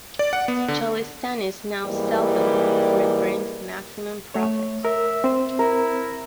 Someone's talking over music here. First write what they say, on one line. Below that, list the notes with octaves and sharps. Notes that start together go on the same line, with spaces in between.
Cholistanis now sell the wool for it brings maximum profit.
D5
F#5
B3
D3
G#2 E3 G3 A#3
A3 C#5
A#4 E5
C4 C5
E4 A#4